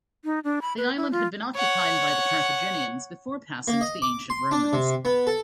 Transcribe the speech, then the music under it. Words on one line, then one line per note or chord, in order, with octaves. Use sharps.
The island had been occupied by the Carthaginians before passing to the ancient Romans.
D#4
D4
B5
B4
E4
F4
C#5 F#5
A#3
D#5
D6
C6
D4
C3
B3
A4